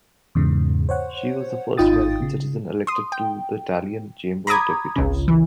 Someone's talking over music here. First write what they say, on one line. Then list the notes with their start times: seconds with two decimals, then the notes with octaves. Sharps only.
She was the first American citizen elected to the Italian Chamber of Deputies.
0.35 E2 G#2 C#3
0.89 C5 C#5 F#5
1.77 G#1 D#4 F4 G5 D#6 A6
2.22 C#3
2.87 C6 D#6
3.12 G5
4.47 A#5 B5 D6 D#6 G#6
4.96 G#1 C#2 C#3
5.28 E3